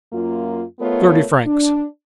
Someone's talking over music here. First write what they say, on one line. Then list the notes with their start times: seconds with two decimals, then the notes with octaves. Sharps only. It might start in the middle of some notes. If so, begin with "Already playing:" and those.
"Thirty francs."
0.13 F#2 A#3 F4
0.80 A3 B3 F4 A#4 C#5
1.46 D4